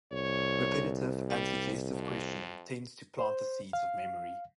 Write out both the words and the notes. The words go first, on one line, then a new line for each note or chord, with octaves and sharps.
Repetitive and suggestive questioning tends to plant the seeds of memory.
C2 C#5
G3
F2
C5
F5